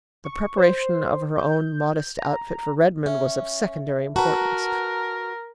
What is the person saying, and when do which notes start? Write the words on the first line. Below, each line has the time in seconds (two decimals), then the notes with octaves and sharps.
The preparation of her own modest outfit for Redmond was of secondary importance.
0.24 C#6
0.57 C5
1.36 G6
2.19 A#5
3.06 C#4 E5
4.16 F#4 A#4 B4 A5 A#5